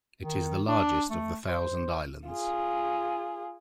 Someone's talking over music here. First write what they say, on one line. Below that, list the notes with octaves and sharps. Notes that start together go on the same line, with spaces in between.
It is the largest of the Thousand Islands.
D#3
D4
A3
C5
F4 G#4